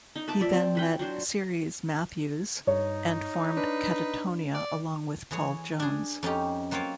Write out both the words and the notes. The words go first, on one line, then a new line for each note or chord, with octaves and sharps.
He then met Cerys Matthews and formed Catatonia along with Paul Jones.
D#4
B4 E5 A5 D6
F3 D5 E5
C4
E3 B4 G5
F#3 D4 C5
G2 D#4 C#5
D4 B4
D5
E3 G#4 C#5
D4 G#4
F2 C#4 D#4 G4
F#3 A#3 C4 F4 C#5